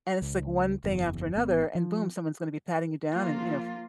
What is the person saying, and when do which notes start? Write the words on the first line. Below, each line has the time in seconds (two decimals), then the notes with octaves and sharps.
and it's, like, one thing after another, and boom, someone's gonna be patting you down and, you know, f
0.22 C#2
0.84 F#1 E2
1.35 G#1 B3
1.75 F3
3.13 F3 A#3 F4